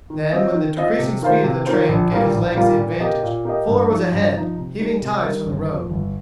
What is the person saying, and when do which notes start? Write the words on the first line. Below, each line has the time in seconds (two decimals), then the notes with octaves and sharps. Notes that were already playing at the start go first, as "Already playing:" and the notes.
Then, when the decreasing speed of the train gave his legs the advantage, Fuller was ahead, heaving ties from the road.
0.10 D#3
0.32 C4 F4 D#5
0.55 D#3
0.77 C4 F4 D#5
0.99 C3
1.22 D#3 A#3 F4 C5
1.44 C3
1.66 D#3 A#3 F4 C5
1.89 A#1
2.11 A#2 G3 A#3 F4
2.33 A#1
2.56 A#2 G3 A#3 F4
2.78 A#2
3.00 A#3 G4 D#5
3.23 A#2
3.45 A#3 G4 D#5
3.67 G2
3.90 F3 D#4
4.12 G2
4.34 F3 D#4
4.57 C3
4.79 G3 D#4 A#4
5.02 C3
5.24 G3 D#4 A#4
5.46 G1
5.68 F2 F3
5.91 G1